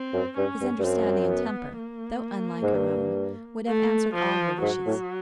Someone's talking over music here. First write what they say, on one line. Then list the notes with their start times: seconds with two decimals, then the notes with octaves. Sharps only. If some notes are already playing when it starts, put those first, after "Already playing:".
His understanding and temper, though unlike her own, would have answered all her wishes.
Already playing: C4
0.14 F#2
0.37 G2 C#4
0.61 G2
0.80 G2
0.84 F#2 C4
1.32 B3
1.79 A#3
2.63 G#2
2.74 G2
3.68 A3
4.15 F3
4.62 G#2 F#3
4.87 A2